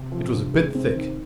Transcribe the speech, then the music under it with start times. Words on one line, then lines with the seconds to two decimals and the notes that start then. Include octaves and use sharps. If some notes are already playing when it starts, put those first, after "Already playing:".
It was a bit thick.'
Already playing: C3
0.12 F3
0.33 G2
0.54 G#3
0.75 C3 C4
0.95 D#3